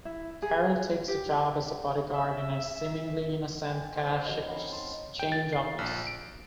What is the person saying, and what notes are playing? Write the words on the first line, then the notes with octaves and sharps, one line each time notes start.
Karol takes a job as a bodyguard in a seemingly innocent cash exchange office.
E4
G#4
G4
E5
G5 G#5
C5 F5 C#6 E6 G6
E3 C4 F#4 A#4 C#5 D#5
C4 C#4 D#4 F5 F#5 B5
A5 C6
G5
A6
C7
A#1
D7